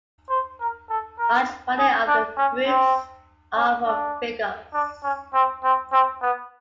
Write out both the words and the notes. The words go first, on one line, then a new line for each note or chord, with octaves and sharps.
Large variety of the fruits are from "Ficus".
C5
A#4
A4
A#4
G#4
D4
C#4
C4
C#4
D4
D4
C#4
C4
C4
C4
B3